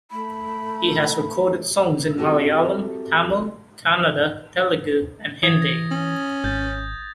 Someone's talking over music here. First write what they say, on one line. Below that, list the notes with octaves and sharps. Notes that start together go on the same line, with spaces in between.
He has recorded songs in Malayalam, Tamil, Kannada, Telugu and Hindi.
A3 B5
C4 E4 F#4 G4 A4 A#4
E3 D#6 G#6 A6
A#6
C#4
G#1 G6 A6